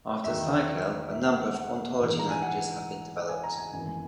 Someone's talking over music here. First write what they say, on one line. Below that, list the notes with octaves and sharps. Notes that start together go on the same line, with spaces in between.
After CycL, a number of ontology languages have been developed.
E2 D#3 F#3 E5
E5
F#5
F#5
F#5
A#1 G#2 E3
A#5
G#5
F#5
G#5
A#5
G#5
G#1 F#2 E3 G#5
G#5